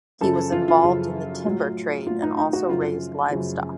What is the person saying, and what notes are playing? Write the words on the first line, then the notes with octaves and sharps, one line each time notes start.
He was involved in the timber trade and also raised livestock.
F#2 C#3 F3 A4
F4
F4
F#2 C#3 F3
A2 F#3
A2 F#3 F4
D#4
D#4
F#4
F#2 C#3 F3 F4
F#2 C#3 F3